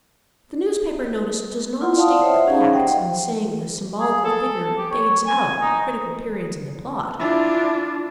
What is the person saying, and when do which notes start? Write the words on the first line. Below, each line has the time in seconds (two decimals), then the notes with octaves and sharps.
The newspaper notice does not state the facts in saying the symbolical figure "fades out" at critical periods in the plot.
1.81 E4 F4 F#5 C6
1.96 D5 F5 F#5 A5 C6 D#6
2.22 C5 C#5 E5 F#5
2.47 C#4 D#4 G4 G#4 F5
2.73 C5 D#5 F#5 G5
4.00 G#4
4.25 A4
4.78 G4
4.91 C#5
5.27 G#5
5.61 D#4
7.20 D4 E4 F4